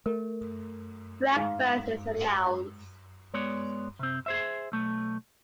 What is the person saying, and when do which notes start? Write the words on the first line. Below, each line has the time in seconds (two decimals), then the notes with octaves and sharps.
Breakfast is announced.
0.06 A3 A#4
1.37 G#2 F5
3.34 G#3 B3 C#5 D5
3.99 C3 C4
4.26 G#4 C5 E5
4.72 B1 A3